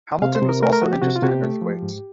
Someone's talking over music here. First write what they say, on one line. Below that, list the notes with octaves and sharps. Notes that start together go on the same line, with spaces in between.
Hamilton was also interested in earthquakes.
C3 F5
C5
C3
A#4
A3 A#4
A#4
F3 F#4
G4
C3 F#4
F4
C3 F#4
G4
A3
F3
G#2